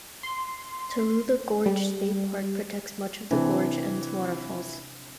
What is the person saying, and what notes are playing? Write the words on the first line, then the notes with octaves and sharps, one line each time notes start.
Tallulah Gorge State Park protects much of the gorge and its waterfalls.
C6
G3
C3 E3 C4 D4